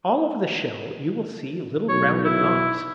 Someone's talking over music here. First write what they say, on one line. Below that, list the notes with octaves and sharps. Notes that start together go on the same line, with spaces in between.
All over the shell you will see little rounded knobs.
B1 C#5
E4